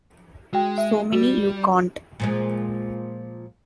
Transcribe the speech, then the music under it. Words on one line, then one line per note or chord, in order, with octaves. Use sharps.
So many you can't.
G#3 F#4 G5
E5
G3 F#4
A#2 F3 G#3